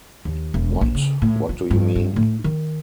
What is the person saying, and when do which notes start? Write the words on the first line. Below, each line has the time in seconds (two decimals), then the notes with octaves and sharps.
What — what do you mean?
0.25 D#2
0.54 E1
0.81 A#1
0.95 C#3
1.22 A2
1.49 F4
1.71 G2
1.96 G2
2.16 A2
2.44 D#3